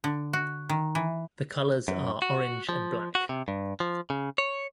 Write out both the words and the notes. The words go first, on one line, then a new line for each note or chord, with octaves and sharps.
The colors are orange and black.
D3
F#4
D#3
E3
F#2
F#4
F3
F#4
C3
G2
F3
C#3
C#5